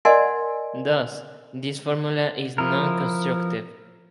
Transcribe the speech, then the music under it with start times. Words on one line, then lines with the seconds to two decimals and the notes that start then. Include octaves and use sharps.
Thus, this formula is non-constructive.
0.05 A#4 D5 D#5 F#5 G#5 C6
2.58 F3 E4 A#4